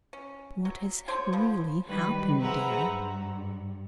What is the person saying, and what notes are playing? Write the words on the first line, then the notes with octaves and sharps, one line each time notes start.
What has really happened, dear?
C#4
F#3
D3 C5 C#5
F3 B3
D#3 F#3 G3 B4
G#4 B4 C5 E5 F#5 A#5
G2